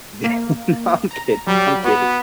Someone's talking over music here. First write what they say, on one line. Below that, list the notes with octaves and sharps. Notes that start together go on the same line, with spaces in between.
yeah, no, I'm kidding, I'm kidding.
A#3
A#5
F#3 G3
B3 F#4